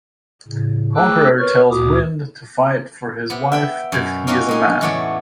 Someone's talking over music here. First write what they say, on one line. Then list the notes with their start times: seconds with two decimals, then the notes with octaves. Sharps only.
Conqueror tells Wind to fight for his wife if he is a man.
0.48 A2 C#3
0.96 A3 G#4 G5 D6 E6 F#6
1.39 A#4 B4 C#5 C#6 F6
1.71 D2 A#2 F#4 D6 D#6
3.30 C3 B3
3.52 E5 G5 B5
3.92 F#2 B2
4.27 A#3 C#4 D#4 F#4 G4
4.49 G#3 D#4 G#5
4.81 E2 A2 A3 B3 C#5 D5